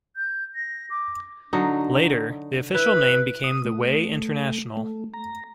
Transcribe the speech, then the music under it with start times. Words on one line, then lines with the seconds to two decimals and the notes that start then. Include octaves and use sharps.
Later the official name became The Way International.
0.16 G6
0.55 A#6
0.90 D6
1.53 D3 F#3 D#4
2.74 E4 B4
3.44 D#6
3.65 A3
4.77 A3
5.14 A#5